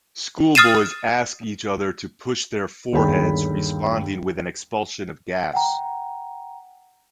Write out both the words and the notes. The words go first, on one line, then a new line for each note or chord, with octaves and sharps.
Schoolboys ask each other to push their foreheads, responding with an expulsion of gas.
D#6 F6 A6 C7 D#7 E7
G1 D#2 G#4 C#5 G5 B5
F#5 G5 A#5